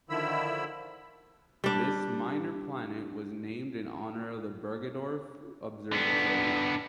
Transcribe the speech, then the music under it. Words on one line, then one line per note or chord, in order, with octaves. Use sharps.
This minor planet was named in honor of the Bergedorf Observatory.
D3 D#3 F3 E4 B5 E6
G3 D4
D3 B3